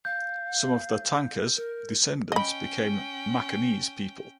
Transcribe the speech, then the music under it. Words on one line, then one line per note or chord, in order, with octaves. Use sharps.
Some of the Tanka's descendants became Macanese people.
F5 G6
A#4
C#4 D#5 G5 B5